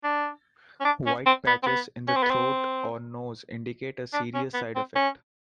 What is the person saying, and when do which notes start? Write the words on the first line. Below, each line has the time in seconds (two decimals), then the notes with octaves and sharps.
White patches in the throat or nose indicate a serious side effect.
0.04 D4
0.80 C#4
0.85 D4
1.06 C#4
1.26 C4
1.47 B3
1.63 C4
1.67 B3
2.08 C#4
2.16 C4
2.23 B3
2.31 C4
4.13 D4
4.34 C#4
4.54 B3
4.75 C4
4.96 C#4